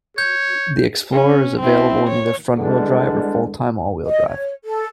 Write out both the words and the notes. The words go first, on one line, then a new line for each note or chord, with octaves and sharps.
The Explorer is available in either front-wheel drive or full-time all-wheel drive.
C#5 G6
C#4
C4 E4
C#5
E2 D3 G3 G#3 D4
D#5
C#5
A4